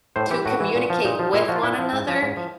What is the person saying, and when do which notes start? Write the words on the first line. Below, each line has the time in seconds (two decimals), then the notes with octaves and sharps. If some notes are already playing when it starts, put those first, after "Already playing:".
to communicate with one another,
0.16 A2 C5
0.31 E3 G4
0.46 A2 F#4
0.60 E3
0.75 A#2
0.90 F3
1.05 A#2 D#4
1.19 F3
1.34 A#2 E4
1.48 F3 F#4
1.56 F4
1.63 A#2 E4
1.79 F3
1.93 G#2
2.08 F3
2.22 G#2
2.37 F3